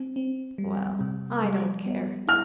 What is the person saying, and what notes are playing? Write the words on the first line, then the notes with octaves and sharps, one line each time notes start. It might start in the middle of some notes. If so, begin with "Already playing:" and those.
Well, I don't care.
Already playing: C4
C4
G3
C3
G3
B3
E4 F6